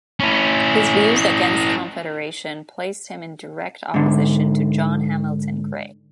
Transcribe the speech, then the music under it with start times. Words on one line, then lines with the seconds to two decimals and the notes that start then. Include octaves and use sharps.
His views against Confederation placed him in direct opposition to John Hamilton Gray.
0.20 C#4 E4
3.94 G#2 D3